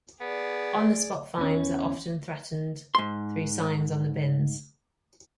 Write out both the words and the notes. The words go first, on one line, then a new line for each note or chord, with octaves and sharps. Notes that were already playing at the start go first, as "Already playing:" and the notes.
On-the-spot fines are often threatened through signs on the bins.
B3 G#4 D5
E2 C#4
G#2 C6